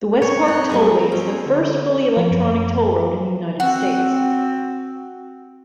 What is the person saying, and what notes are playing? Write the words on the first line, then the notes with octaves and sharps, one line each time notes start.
The Westpark Tollway is the first fully electronic toll road in the United States.
C4 C#5
D#4 F#6
G3 A#3 E4 G#4
C4 C#4
B3
D3
F3
F#2
C4 F#4